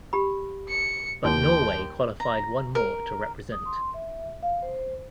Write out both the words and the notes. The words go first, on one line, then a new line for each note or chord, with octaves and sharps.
But Norway qualified one more to represent.
G4 B5
C#7
D#2 G5
A#5
A#4
D#6
C6
E5
F5
C5